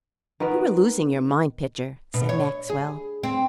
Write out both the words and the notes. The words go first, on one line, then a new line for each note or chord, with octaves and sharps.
"You are losing your mind, Pitcher," said Maxwell.
D#3 B3 A#4 B4
B2
C#5
G#4
C4